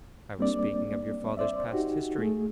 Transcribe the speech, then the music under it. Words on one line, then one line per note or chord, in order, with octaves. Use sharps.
I was speaking of your father's past history.
G3 A#3 C4 D4 D5
C5 D5 E5
D#4 F#4 G4
A3 G#4